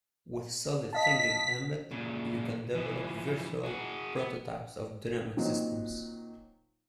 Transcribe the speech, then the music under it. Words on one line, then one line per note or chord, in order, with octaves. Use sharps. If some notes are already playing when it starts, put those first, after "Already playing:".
With solidThinking Embed, you can develop virtual prototypes of dynamic systems.
D#5 F5 A5 B6
A#2 C#3
E3 F3
F#4 G#4
B3
A#2 D#3 F#3 C4 D#4